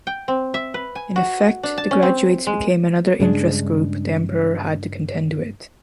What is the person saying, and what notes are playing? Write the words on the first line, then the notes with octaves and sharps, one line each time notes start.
In effect the graduates became another interest group the emperor had to contend with.
G5
C4
E5
B4
G#5
F#4
D4
A5
C#4
C4
G#3
G2 C#3 G#3 D4